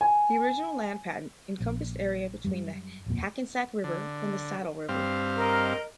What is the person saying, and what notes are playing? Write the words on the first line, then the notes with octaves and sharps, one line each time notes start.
The original land patent encompassed area between the Hackensack River and the Saddle River.
G#5
A#1
F#2 G3
D1 F2 A#2
D3
G2 C4 F5
A#4 D#5